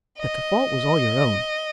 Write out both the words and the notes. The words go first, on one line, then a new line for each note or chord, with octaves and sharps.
But the fault was all your own.
D#5